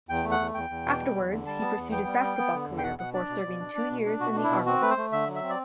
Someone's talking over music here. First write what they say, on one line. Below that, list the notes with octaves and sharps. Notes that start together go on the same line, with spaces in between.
Afterwards, he pursued his basketball career before serving two years in the Army.
E2 G5
A3
F#5
E2
E2 G5
E2
B2
G3
E2
D3
G3 A5
B3
E2
B3 G5
G3
B3
B3
D3
E2
G5
B2 F#5
B2 F#5
D4 D5
B2
B2
D4
D4
B2
D4
B2 F#4
D4
E4
B2
C4 F#4
A3 B4
C5
A3
D3 E5
F#3
E5
C4
D5